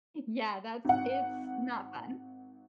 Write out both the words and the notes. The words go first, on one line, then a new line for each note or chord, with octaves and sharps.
I yeah. That's it's not fun.
G#1 F#5